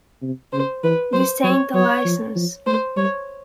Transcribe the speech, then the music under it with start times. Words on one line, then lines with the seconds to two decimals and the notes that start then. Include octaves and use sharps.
This ain't a licence.
0.22 C3
0.53 C#3 C5
0.84 E3 B4
1.13 F#3 C5
1.44 F#3 C#5
1.74 F#3 C#5
2.05 F3
2.36 F3
2.66 A3 C5
2.96 G3 C#5